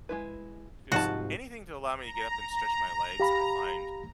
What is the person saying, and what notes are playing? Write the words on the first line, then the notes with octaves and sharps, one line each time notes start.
Just anything to allow me to get up and stretch my legs, I find
G#3 E4 B4
C2 G#2 F3 D#4 F#4 A5
A#5
G4 F5 B5